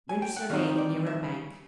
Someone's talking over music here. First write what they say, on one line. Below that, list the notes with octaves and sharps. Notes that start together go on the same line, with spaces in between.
Rynch surveyed the nearer bank.
G#5
G5
F#5
D#3 G3 C4 D#4 F5
D#5
D5
E5